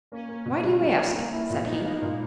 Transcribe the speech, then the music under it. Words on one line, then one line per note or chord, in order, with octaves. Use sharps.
"Why do you ask!" said he.
A#3 C#4
A#3
B2
G3
G3
A#3
A#3
E4
A#2 B3
D#4
A#3
G#3 D#4
A#2